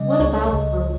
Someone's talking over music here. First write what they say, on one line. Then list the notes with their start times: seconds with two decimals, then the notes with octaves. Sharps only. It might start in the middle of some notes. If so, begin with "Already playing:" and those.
what about fruit?
Already playing: C#3 G3 D#5
0.10 D#5
0.19 C#2 C#5
0.50 C#2